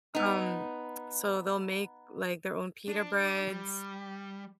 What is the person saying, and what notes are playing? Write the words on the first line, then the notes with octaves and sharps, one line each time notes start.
um so they'll make, like, their own pita breads,
B3 D#4
D4
G3